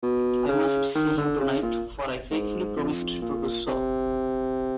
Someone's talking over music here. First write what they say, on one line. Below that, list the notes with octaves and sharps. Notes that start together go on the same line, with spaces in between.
I must see him tonight, for I faithfully promised to do so.
B2
C#3
D#3
D3
C#3
A#2
G#2
F2
A#2
C3